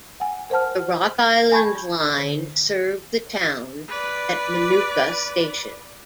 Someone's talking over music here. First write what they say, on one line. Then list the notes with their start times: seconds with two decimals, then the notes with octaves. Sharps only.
The Rock Island Line served the town at Minooka Station.
0.20 F#5 G#5
0.50 A#4 C5 F#5 A5 F6
1.52 G#5 A5 B5 C#6 G6 G#6
2.18 D3
3.88 B4 D5